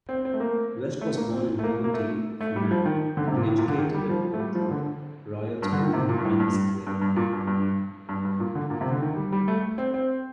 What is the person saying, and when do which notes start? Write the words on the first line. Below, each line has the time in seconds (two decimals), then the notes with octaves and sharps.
West was born in County Fermanagh and educated at Portora Royal School in Enniskillen.
0.09 C4
0.25 C4
0.34 A3
0.40 A#3
1.01 A3
1.18 A#3
1.32 C4
1.59 A3
1.63 A#3
1.84 A#3
1.94 A3
2.41 A3
2.56 G3
2.71 F3
2.86 D#3
3.17 D3
3.28 C3
3.37 A#2
3.47 A2
3.58 A#2
3.68 D3
3.78 D#3
3.94 G3
4.09 F3
4.25 F3
4.34 A3
4.39 G3
4.55 F3
4.71 D3
5.62 G2
5.73 D3
5.83 D#3
5.93 C3
6.09 A#2
6.18 G2
6.25 A2
6.40 G2
6.87 G2
7.02 G2
7.16 A#2
7.33 G2
7.47 G2
8.09 G2
8.25 G2
8.40 A#2
8.55 D3
8.70 A#2
8.81 C3
8.91 D3
9.02 D#3
9.16 G3
9.32 G3
9.48 A3
9.78 C4
9.94 C4